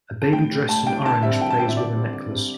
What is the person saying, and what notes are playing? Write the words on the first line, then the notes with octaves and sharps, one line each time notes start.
A baby dressed in orange plays with a necklace.
A5
A2 G5
G3 D4
A2 A5
G3 D4 G5
D3 A5
G3 C4 E5
D3 G5
A5
G3 C4 G5
E5
D3 D5
G3 C4
D3
G3 C4